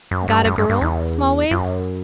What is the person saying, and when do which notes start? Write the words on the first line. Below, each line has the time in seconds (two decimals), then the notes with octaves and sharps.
"Got a girl, Smallways?"
0.11 F#2
0.28 G2
0.45 F#2
0.58 G2
0.70 G2
0.81 E2
1.51 F#2